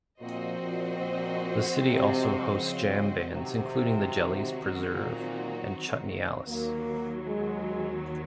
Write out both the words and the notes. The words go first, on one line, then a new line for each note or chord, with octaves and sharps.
The city also hosts jam bands, including the Jellies, Preserve, and Chutney Alice.
A#2 F3 C4 F#4 C5 D#5
A#2
A#2
C3
C#3
C3 D#3 F#3 C4 D#4 F#4
A#2
D#2 D#3 F#3 A#3
G#3